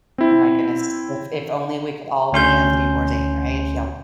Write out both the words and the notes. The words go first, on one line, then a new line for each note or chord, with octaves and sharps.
Oh my goodness, if if only we could all be Anthony Bourdain, right? He'll
C4 E4
D2 C#4 C6 G6